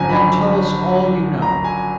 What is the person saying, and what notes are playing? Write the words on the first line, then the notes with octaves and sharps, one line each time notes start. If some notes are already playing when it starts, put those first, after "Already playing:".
Now tell us all you know.
Already playing: G#1 F#2 D3 F3 G#5 A#5
B5
A#5
G#5